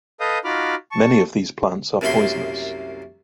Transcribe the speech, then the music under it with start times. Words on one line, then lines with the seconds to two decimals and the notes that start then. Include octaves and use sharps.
Many of these plants are poisonous.
0.20 A4 B4 D#5 F5 D#6 G6
0.44 D#4 F4 F#4 B5 D6 F6
0.92 A5 C#6
2.01 C2 F#2 A3 A#3 B5 C6